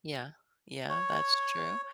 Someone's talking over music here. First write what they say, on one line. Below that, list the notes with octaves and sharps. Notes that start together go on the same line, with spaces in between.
Yeah. Yeah, that's true.
C#5